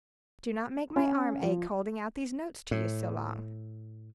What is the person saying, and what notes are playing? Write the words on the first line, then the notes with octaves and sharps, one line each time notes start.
Do not make my arm ache, holding out these notes to you so long!
C#4
F3
A2